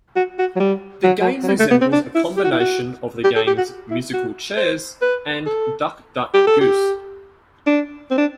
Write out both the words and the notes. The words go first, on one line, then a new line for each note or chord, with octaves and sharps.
The game resembles a combination of the games Musical Chairs and Duck Duck Goose.
F#4
F#4
F#3
G3
F#3
F#3
F#3
G3
A3
B3
C4
D4
E4
G4
F#4
E4
F#4
G4
A4
G4
F#4
E4
F#4
C5
B4
A4
G4
A4
G4
D4
C4
D4